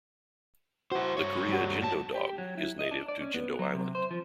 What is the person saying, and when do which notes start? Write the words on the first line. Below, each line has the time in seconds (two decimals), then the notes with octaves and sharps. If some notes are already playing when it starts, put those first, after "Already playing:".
The Korea Jindo Dog is native to Jindo Island.
0.92 E4 F#4 C5
1.17 G2 C#5
1.49 G3 F#4
1.82 G2 A5
2.15 G4
2.38 F#3
2.57 E4
2.79 D#5
2.91 D4
3.08 D5
3.21 C#4
3.34 B3
3.59 F#3
3.75 C3
3.95 C5
4.11 F3